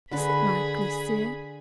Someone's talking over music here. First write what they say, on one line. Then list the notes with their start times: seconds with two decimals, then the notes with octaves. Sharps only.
Is it likely, sir?
0.11 D3 G#4 B4 B5